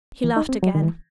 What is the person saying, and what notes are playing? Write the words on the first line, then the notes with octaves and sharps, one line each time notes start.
He laughed again.
E3
D#4
C4
F#3
D#3
E3